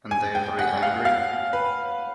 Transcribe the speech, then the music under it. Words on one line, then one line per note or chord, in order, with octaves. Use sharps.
And they are very angry?
G#5
G5
F#5
F5
F5
B4